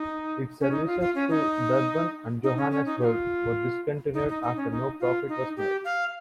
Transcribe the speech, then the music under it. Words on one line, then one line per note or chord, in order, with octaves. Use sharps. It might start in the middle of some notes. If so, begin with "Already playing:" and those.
Its services to Durban and Johannesburg were discontinued after no profit was made.
Already playing: D#4
C#4
D#4
F4
F4
C#4
D#4
D#4
C#4
C#4
D#4
G4
F4
D#4
D#4
D#4
C#4
D#4
F4
D#4
G4
F5